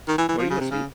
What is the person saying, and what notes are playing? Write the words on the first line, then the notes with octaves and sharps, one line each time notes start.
Were you asleep?
D#3
E3
E3
F3
C#3
C3
C#3